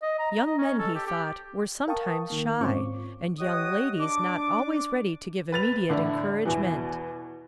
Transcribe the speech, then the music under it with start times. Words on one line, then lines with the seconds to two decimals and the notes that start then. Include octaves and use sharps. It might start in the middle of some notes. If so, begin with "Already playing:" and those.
Young men, he thought, were sometimes shy, and young ladies not always ready to give immediate encouragement.
0.03 D#5
0.19 A#5
0.32 A#5
0.46 D#5
0.58 C#4
0.79 A4
0.95 G4
1.07 G4
1.88 A#4 F5 G5 A5 C#6 D#6
2.30 D#3 A#3
2.61 G#2 C4 C#4 F4 C#6 D6
3.39 G4 C#5 D#5 F#5 D#6
4.00 D4 D6
5.52 B4 A6 F7
5.89 A2 D3 D4 E4
6.45 E2 B2 E3